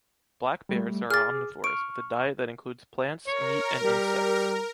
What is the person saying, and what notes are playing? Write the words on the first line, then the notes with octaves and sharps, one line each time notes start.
Black bears are omnivores with a diet that includes plants, meat and insects.
G3 A3
G#4 D6 F6 A6
C#6 F6 D7
A#4 C#5
G3